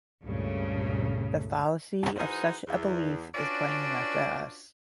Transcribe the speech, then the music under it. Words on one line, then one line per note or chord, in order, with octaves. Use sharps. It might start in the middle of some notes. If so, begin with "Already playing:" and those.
The fallacy of such a belief is plain enough to us.
C#2 G2 A#2 C#3 A3
E3 D#4 F#4 G#4 A#4 C5
E2
C#4 D4 F4 F#4 B4 D5